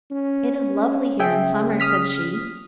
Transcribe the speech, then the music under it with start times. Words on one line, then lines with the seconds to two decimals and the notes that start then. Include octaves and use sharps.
"It is lovely here in summer!" said she.
0.11 C#4
1.19 C#3 G#4 E5 G5
1.80 D#6 F6 B6